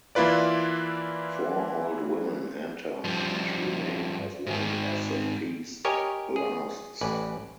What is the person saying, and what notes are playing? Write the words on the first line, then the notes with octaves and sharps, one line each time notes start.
Four old women enter and remain as long as the feast lasts.
E3 A#3 E4 F4 B4 D5
G2 F3
G#2 D#3
G4 A#4 C#5 D#5 G#5
G#4
A1 B4 D5 G#5